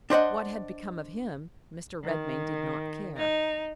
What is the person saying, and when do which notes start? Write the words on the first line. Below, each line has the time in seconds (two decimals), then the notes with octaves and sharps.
What had become of him Mr. Redmain did not care.
0.10 D4 C5 D#5 F#5
2.06 D#3
3.17 D#4